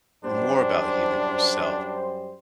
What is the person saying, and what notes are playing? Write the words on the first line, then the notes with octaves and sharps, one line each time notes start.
more about healing yourself
F#2 G3 D4 C5